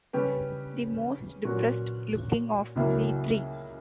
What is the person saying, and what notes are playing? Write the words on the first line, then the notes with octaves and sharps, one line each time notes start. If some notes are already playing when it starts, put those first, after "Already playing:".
The most depressed-looking of the three.
C#3 G3 C#4 G4 B4
A#2 F#3 C#4 F#4
C#2 C#3 F#3 A#3 E4